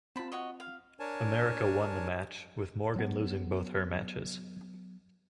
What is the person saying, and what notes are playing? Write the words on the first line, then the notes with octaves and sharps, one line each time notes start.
America won the match with Morgan losing both her matches.
C4 F4 A5 B5
F#4 C#5 D#5
F5
D4 A#4 C#5 G#5 A5
F#3 B3